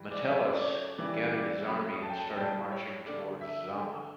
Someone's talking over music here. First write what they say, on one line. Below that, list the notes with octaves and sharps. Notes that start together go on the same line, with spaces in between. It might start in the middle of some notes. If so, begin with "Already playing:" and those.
Metellus gathered his army and started marching towards Zama.
Already playing: E3 G3
D5
C#3 F#3 A3 E5
D5
D5
C#5
C#3 E3 G3 D5
D5
C#3 F#3 A3 B5
A5
G5
A5
A5
A2 G3 G5
C#5
D3 A3 D5
E5
D3 A3 G5